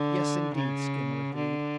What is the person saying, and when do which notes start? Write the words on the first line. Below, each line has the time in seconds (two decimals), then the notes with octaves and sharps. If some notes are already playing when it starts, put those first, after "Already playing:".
"Yes, indeed," Skinner agreed.
Already playing: D3
0.55 C#3
1.35 D3